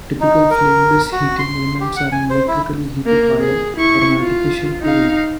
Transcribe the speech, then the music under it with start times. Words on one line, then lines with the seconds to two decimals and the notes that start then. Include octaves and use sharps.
Typical flameless heating elements are an electrically heated wire or an artificial coal.
0.20 D#4
0.51 A#4
1.12 F#4
1.39 C6
1.81 G4
1.96 F#5
2.12 G#5
2.30 C5
2.48 E4
3.06 A#3 A#4
3.40 G#4
3.76 E4 C#6
4.19 F4
4.81 D#4 F5